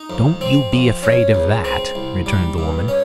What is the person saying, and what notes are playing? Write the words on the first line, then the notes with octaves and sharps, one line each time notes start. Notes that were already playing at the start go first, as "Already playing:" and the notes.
"Don't you be afraid of that," returned the woman.
Already playing: D#4
F2
C4
F2
C#4
C#2
C4
C2
G3
G2
C#4